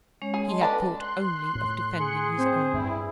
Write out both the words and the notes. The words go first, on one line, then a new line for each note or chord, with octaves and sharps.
He had thought only of defending his own.
G#3 C#4 C#5
G#4
D#5 A5 C6
D4 A4 B4 G5 A5 A#5
C6 F#6
A2
G#4 C#7
C4 C5
G2 E4